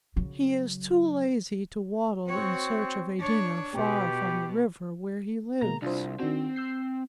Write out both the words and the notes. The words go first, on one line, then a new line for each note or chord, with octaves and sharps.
He is too lazy to waddle in search of a dinner far from the river where he lives.
C#3 F#3
C4 F#4 C#5
D4 C#5
B2 B3 G4
B2 G#3 A#3 A#5
C2 D4 F4 C5
D#3 C4 D4 F#4
E6 G6 C7